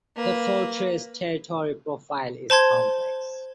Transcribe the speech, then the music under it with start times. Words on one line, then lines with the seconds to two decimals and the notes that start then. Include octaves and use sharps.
The fortress’ territory profile is complex.
0.16 A#3 B4
2.50 C5 A5 C6 G#6